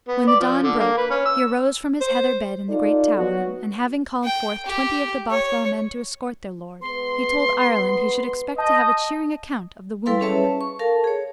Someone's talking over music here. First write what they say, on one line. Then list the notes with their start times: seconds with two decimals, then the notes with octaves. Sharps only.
When the dawn broke, he arose from his heather bed in the great tower; and having called forth twenty of the Bothwell men to escort their lord, he told Ireland he should expect to have a cheering account of the wounded on his return.
0.08 B3
0.27 D5
0.40 F3
0.63 D3
0.79 A#3
0.97 B4
1.10 C#4
1.25 E6
2.01 C5
2.70 D#4 F4 A4 D5
3.17 F#3 B3 F#4
4.24 G5
4.66 G4
5.30 C#5
6.81 G#3 B3 B4 C6
8.58 D#5 A5 G6
10.06 G3 E4 A4 B4 F5 C6
10.21 C#4 G#4 B4 C#5 E5 A5
10.61 C#6
10.79 A4 A#4 F5 A5
11.04 G#4 C#5